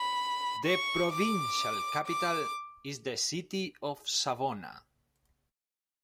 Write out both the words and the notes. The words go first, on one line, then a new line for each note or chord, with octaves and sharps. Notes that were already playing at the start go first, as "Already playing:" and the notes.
The provincial capital is the city of Savona.
Already playing: B5
C#6
D6
D6